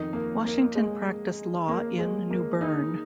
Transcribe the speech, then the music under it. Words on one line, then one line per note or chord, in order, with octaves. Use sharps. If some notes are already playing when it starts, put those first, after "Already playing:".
Washington practiced law in New Bern.
Already playing: F2 D#3 D#4
A#3
A#3
G#3
A#3
G#3
A#3
D#4